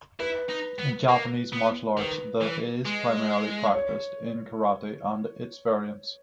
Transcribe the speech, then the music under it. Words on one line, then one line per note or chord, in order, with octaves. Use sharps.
In Japanese martial arts, the is primarily practiced in karate and its variants.
E4 B4
D#4
B3
A#3
B3
D#3 B4
E3
G#3
C#5